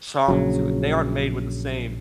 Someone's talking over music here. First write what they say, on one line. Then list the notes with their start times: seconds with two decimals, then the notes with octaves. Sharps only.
charm to it. They aren't made with the same
0.28 A#1 C#3 F#3